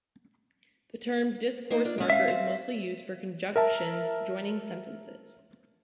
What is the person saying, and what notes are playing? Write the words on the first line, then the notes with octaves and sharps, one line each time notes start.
The term "discourse marker" is mostly used for conjunctions joining sentences.
A#3 D#4 C5
D4 F4
G#3 C#4
E5 F5
C4
A#4 E5 A5